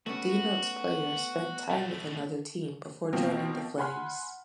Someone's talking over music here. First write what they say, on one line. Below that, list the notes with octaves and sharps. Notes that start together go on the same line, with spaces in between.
Denotes player spent time with another team before joining the Flames.
A3 B3 C#4 F#4
B2 A3
B2 D#3 F3 A#3 C4
F#5 G#5 B5 C6 F6